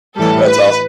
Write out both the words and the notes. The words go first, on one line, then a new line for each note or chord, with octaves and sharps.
that's awesome.
A2 E3 G3 A4
B4